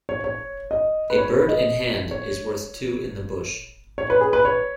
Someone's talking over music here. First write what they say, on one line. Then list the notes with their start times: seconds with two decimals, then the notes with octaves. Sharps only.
A bird in hand is worth two in the bush.
0.09 C#5
0.24 C#5
0.71 D#5
1.10 B4
1.18 C#5
1.34 B4
1.48 D#5
2.11 C#5
3.98 C#5
4.10 B4
4.21 G#4
4.33 B4
4.45 C#5